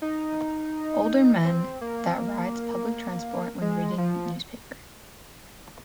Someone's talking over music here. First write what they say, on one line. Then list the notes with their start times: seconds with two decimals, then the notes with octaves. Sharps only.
Older men that rides public transport when reading newspaper.
0.02 D#4
1.45 C4
1.81 A#3
2.08 C4
2.18 A#3
3.61 G#3
3.98 F3